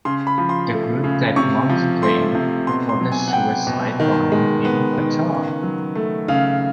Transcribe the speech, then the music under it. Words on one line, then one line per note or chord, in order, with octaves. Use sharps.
The group that month claimed for the suicide bombing in Qatar.
C#3 C6
B5
F3
C6
A3
C#3
C3 C#6
F3
A3 C6
C3
B2 C6
C6
F#3
G#5
F#5
B3 G5
B2
D#3
G#3
B3
D#3
C#3
F#3
A3
C#3 F5